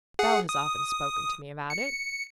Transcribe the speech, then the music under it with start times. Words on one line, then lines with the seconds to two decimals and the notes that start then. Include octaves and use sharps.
Bell has often spoken to me about it.
0.19 G#4 F#5
0.49 D#6
1.70 C#7